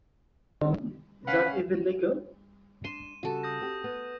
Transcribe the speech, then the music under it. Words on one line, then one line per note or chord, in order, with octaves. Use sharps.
Is that even legal?
C#4 B4 F5 F#5
D4 C6 D#7 E7
C#3 G3 F#4 A4
D#6 G6 A#6
C4 G4
B3